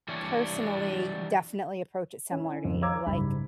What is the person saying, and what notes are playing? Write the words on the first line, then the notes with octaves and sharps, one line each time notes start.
personally, definitely approach it similar to you, like,
E3 G3 D4 C#5
C#4 E4
F2
C#5 F5 A#5 D6 E6 G#6
F#1 G#2 G3 B5